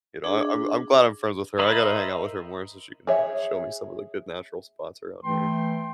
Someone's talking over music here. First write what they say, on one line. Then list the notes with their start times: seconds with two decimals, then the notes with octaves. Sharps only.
you know, I'm I'm glad I'm friends with her. I gotta hang out with her more so she can show me some of the good natural spots around here.
0.24 D4 G#4
1.59 A#4 C5 D#5 E5 B5
3.07 G#4 C#5 E5
5.24 E3 A3 G5 C6